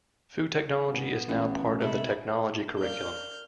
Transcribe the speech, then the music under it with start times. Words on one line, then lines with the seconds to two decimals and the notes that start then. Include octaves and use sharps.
Food Technology is now part of the technology curriculum.
0.88 G#1 B3
1.29 A1 E3 A3
1.81 C3 G#3 A3 E4 E5 B5
2.80 A#4 D5 F5 F6 G6